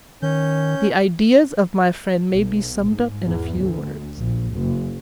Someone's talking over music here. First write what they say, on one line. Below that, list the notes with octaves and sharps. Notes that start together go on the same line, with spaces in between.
The ideas of my friend may be summed up in a few words.
D#3 C#4 G6
B1
G#2
E2
D2
A#1
F#1